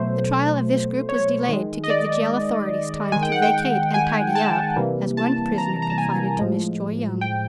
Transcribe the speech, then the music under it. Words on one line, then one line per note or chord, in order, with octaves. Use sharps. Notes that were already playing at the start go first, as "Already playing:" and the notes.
The trial of this group was delayed to give the jail authorities time to "vacate and tidy up," as one prisoner confided to Miss Joy Young.
Already playing: B2 F#3 A3 C5
C#5
D#3 G#3
D#5
D5
D#3 G#3 G#5
G5
F#5
G5
G#5
A5
C3 E3 G3 A#3
A5
A#5
A#5
A5
G#5
A2 F3 G#3
G5